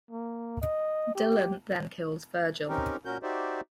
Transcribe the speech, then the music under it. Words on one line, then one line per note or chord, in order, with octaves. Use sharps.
Dylan then kills Virgil.
A#3
D#5
G4
C4 C#4 D#4 G4 A#4
A#2 C#4 F#4 A#4 G6
D#4 F#4 G4 C5 D5 E5